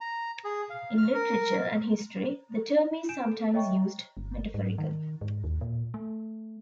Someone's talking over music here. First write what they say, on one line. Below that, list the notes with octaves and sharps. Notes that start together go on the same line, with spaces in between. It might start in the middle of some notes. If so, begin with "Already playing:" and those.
In literature and history, the term is sometimes used metaphorically.
A#5
G#4
F5
F6
A#4
G#5 G6 D7 E7
A4
C#5 D#5 E5 G5 A#5 C#6
G1
G#2
D#3
G#2
D#2
A#2
A3